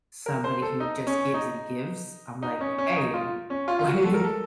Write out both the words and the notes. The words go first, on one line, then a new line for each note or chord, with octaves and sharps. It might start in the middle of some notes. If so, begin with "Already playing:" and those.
somebody who just gives and gives. I'm like, "Hey, like
A#4
C5
A4
D#4
C#4
D#4
D#4
C#4
C#4
D#4
F4
C#4
F4
F4
F#4
A4
A#4
A4